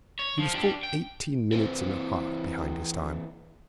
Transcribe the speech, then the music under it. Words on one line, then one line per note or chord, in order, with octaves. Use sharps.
He was full eighteen minutes and a half behind his time.
C#5
F3
D4 G4
G5
E3 C4